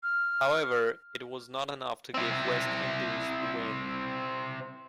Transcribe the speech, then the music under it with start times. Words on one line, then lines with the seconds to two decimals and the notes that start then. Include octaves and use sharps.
However, it was not enough to give West Indies the win.
0.03 F6
2.14 C4 E4